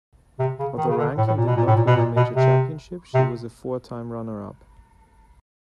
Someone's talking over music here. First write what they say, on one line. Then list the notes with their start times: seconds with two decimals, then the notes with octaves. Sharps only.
Although Rankin did not win a major championship, she was a four-time runner-up.
0.39 C3
0.59 C#3
0.78 D#3
0.88 C#3
0.98 D3
1.17 A2
1.27 A2
1.38 A#2
1.47 B2
1.57 A#2
1.67 A2
1.76 A#2
1.87 B2
1.96 A#2
2.16 B2
2.35 C3
3.14 C3